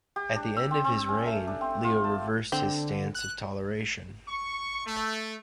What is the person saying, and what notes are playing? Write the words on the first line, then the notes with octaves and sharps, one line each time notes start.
At the end of his reign, Leo reversed his stance of toleration.
G4
D4
E6
C4
C4
C#4
A3
D4
C4
F4
A5
D3 C4
F#6
C#6
A3